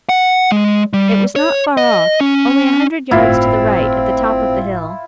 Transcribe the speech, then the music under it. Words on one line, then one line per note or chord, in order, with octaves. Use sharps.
It was not far off, only a hundred yards to the right at the top of the hill.
F#5
G#3
G3
C#5
D#5
C#4
G1 A2 C4 E4 F4